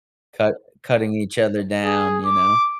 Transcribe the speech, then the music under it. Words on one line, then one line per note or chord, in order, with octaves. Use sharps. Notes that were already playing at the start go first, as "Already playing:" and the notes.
cut cutting each other down, you know?
G#4
D6